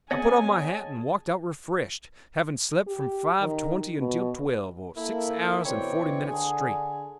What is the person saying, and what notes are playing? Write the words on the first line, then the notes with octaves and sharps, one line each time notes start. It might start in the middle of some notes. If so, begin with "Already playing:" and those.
I put on my hat and walked out refreshed, having slept from five twenty until twelve, or six hours and forty minutes, straight.
B3 C4 G#4 C#5 D#5 F#5 G#5 A5
G4
D#3
B2
A#3 E4 A4
B2 E3 C4 C#5 D5 G5
D3 G#4 G#5